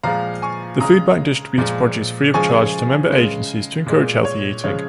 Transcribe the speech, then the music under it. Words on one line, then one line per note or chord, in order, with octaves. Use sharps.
The foodbank distributes produce free of charge to member agencies to encourage healthy eating.
A#2 F3 G#3 F5 A#5
G#5 C#6
C#3 G#3 A#5 D#6
A#2 F3 G#3
C#3 F3 G#3 G#5 C#6
C#3 G#3
A#2 G#3
C#5
C#3 F3 G#3 C#5